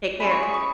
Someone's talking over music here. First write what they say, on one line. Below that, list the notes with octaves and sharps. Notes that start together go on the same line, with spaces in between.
Take care.
G#3 C#4 E4 B5
C#6
D#6
C#6